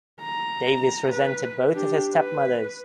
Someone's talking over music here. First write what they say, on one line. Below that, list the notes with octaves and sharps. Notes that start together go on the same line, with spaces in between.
Davis resented both of his stepmothers.
A#5
B4
D4 G4
B4